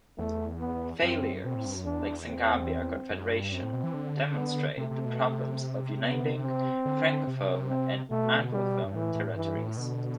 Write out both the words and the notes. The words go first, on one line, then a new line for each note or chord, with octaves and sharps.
Failures like Senegambia Confederation demonstrate the problems of uniting Francophone and Anglophone territories.
E2 A3
B3
F#2 C4
B2 C4
A2
G2
F#2
E2 D4
C4
F#2
G2
F#2 C4
A2
B2
E3
D3
B3
C3 A3
C3
B2
C3
B3
C4
D3
C3
C4
B2 A3
G3
G2
A2 E3
A2
G2 E3
A2
B2 D3